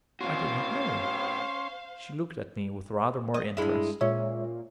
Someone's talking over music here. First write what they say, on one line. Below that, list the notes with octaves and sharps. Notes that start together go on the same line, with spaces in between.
"I didn't know." She looked at me with rather more interest.
A2 C#4 F#4 C5 F5 C6
D#5
G2 G#3 E4
A#2 G#3 C#4 C#5 E5